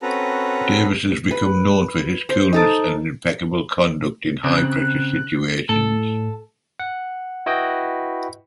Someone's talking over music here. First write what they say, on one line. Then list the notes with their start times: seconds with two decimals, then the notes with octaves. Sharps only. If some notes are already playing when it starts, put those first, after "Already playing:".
Davis has become known for his coolness and impeccable conduct in high-pressure situations.
0.02 C4 C#4 F#4 A4 B4 A#5
1.31 B4 B5
2.29 C5
2.53 D#4 A4 A5
4.44 C#3 C4 F#6
5.69 A2 A4
6.79 F#5
7.46 E4 F#4 B4 D#5 G5